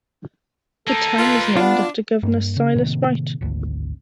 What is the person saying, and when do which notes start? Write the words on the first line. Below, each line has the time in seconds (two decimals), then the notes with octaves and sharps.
The town was named after governor Silas Wright.
0.88 A#3 D#4 A4
1.18 F4 B4
1.57 B3 D4 F4
2.23 G2 A#3
2.57 C#3
2.75 A2 C3 D#3 A#3
3.41 G#1 D2